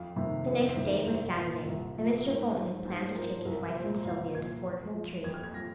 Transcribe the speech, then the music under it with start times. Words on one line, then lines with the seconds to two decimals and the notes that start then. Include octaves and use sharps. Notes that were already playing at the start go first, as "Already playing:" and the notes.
The next day was Saturday, and Mr. Fulton had planned to take his wife and Sylvia to Fort Moultrie.
Already playing: F2 F5
0.16 C3 D#3
0.46 F2
0.66 C5
0.76 C3 D#3
0.86 A#4
1.06 C2 C5
1.36 A#2 F3
1.65 C2
1.95 A#2 F3
2.25 G#2 A#4
2.55 F3 C5
2.85 G#2 C5
3.11 C5
3.15 F3 A#4
3.45 C2 A#4
3.75 A#2 F3 C5
4.05 C2 F5
4.35 A#2 F3 G#6
4.65 F2
4.94 F3
5.24 F2 G#6
5.34 F6
5.43 G#6
5.54 F3 A#6